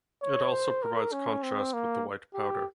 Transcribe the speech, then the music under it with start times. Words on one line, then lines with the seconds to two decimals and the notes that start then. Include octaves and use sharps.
It also provides contrast with the white powder.
0.22 C#5
0.52 C5
0.83 A#4
1.12 C#4
1.43 C4
1.73 A#3
2.34 G4